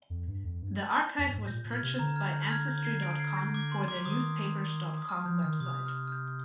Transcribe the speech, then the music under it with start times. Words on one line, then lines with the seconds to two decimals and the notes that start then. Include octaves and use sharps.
The archive was purchased by Ancestry dot com for their newspapers dot com website.
0.10 F2
0.27 G2
0.44 F2
0.61 G2
1.18 F2
1.28 G2
1.38 G#2
1.47 A#2 G6 A#6
1.65 A#2
1.73 F6 G#6
1.82 C3
1.99 D3 A#5
2.16 F6 G#6
2.33 G6 A#6
2.50 F6 G#6
2.68 G6 A#6
2.85 G#6 C7
3.02 A#6 D7
3.20 G#6 C7
3.37 G6 A#6
3.54 D6
3.72 C6
3.88 D6
4.00 D6
4.05 D#3 D#6
4.97 D#6
5.09 F6
5.25 F3 G6
5.43 D#3 F6
5.60 C3 D#6
5.87 F6
6.08 F6
6.12 G6